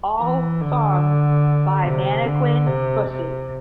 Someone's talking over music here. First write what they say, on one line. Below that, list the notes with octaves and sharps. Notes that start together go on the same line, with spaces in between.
All songs by Mannequin Pussy.
E3
D3
C3
D3
C3
C3